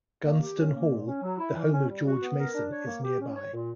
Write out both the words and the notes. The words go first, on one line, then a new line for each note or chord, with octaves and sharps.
Gunston Hall, the home of George Mason is nearby.
A#3
G4
C#4
A#3
A#2
C#4
F#3
E4
E3
C#4
G3
F#4
B3
A#4
D4
C#5
A#3
G4
C#4
C#5
A#2